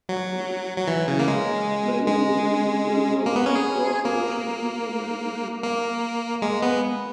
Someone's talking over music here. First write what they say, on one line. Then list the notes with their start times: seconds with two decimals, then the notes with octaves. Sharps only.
Many wounded soldiers were brought to Washington for medical treatment.
0.09 F#3
0.78 F#3
0.88 E3
1.08 C#3
1.19 A#3
1.28 G#3
2.07 G#3
3.26 A#3
3.36 B3
3.46 C#4
3.55 G#4
4.05 A#3
5.63 A#3
6.42 G#3
6.63 B3